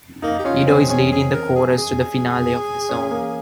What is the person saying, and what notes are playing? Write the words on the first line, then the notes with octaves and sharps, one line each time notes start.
Edo is leading the chorus to the finale of the song.
A#3 D#4
G4
C#4 F4
C4 G#4
C#4 G#4
G#4
A#4
G#4
G#4
C#4
A#3